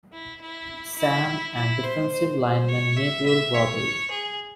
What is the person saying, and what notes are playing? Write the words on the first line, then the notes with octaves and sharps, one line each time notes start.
Sam and defensive lineman Miguel Robede.
E4
E4
E4
E4
C5
C5
C5
C#5
E5
E5
C#5
G#4